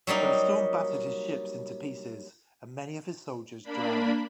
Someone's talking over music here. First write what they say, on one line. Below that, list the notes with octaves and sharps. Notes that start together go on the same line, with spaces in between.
But a storm battered his ships into pieces and many of his soldiers drowned.
F#3 G3 A#3 D#4
A#3 D4 B5